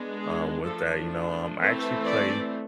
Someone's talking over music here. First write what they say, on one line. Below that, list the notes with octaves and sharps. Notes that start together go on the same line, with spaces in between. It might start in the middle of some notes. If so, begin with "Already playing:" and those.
um, with that, you know, um, I actually play,
Already playing: G#3 B3 D4
G#4
F3 A3 D4 A4
E3 A3 C4
D5